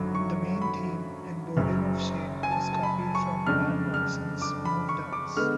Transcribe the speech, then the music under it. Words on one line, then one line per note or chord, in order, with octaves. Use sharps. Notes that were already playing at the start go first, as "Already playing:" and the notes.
The main theme in "Burden of shame" is copied from Van Morrison's "Moondance".
Already playing: G#1 F#2 D3 F#3 B5
C#6
B5
F#1 F#2 C#3 F#3
G#5
A5
A5
B5
C#6
F2 C#3 G#3 D4 F6
F6
D6
B5
C#6
D6
D3 G#3 B3 F6